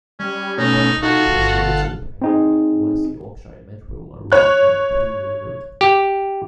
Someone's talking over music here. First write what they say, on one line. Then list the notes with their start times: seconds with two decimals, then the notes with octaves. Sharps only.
The trains were also painted in West Yorkshire Metro maroon and cream livery.
0.20 G3 C#4
0.58 B2 A3 C#4 D#4
1.03 D#4 F4 F#4 A4 F#5
1.34 G1
2.22 C4 D#4 G#4
4.32 C#5 F#6
5.81 G4